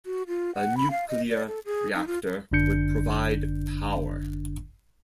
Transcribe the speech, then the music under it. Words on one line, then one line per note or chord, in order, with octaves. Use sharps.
A nuclear reactor would provide power.
F#4
F4
F#5
B5
F5
D#5
D5
A4
G#4
D#4
F4
G1 F#2 D3 D4 G6 C#7